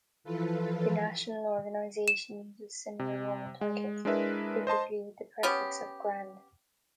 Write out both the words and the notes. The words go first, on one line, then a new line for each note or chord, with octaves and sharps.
The national organization uses similar Roman titles, typically with the prefix of "Grand".
E3 F3 F4 A4 B4
E7
C3
G#3
G#3 D4 E4 A#4 B4 E5
C5 D#5 A5 C6
B3 C#4 G4